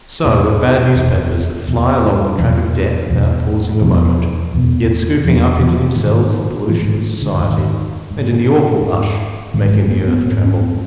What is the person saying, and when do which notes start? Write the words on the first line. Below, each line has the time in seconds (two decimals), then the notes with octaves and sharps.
So with bad newspapers that fly along the track of death without pausing a moment, yet scooping up into themselves the pollution of society, and in the awful rush making the earth tremble.
0.24 E2 B2 A#3
0.95 E2 B2
1.67 E2 B2
2.38 E2 B2 F#3
3.10 E2 B2
3.81 E2 B2 F3
4.54 E2 B2
5.25 E2 B2 F3
5.60 E3
5.96 G#2 D#3
6.68 G#2 E3
6.85 D#3
7.22 D3
7.40 G#2 D#3
8.11 G#2
8.82 G#2
9.54 G#2 D#3
9.72 G#3
9.90 A#3
10.07 B3
10.26 G#2 C4
10.44 C#4
10.61 C4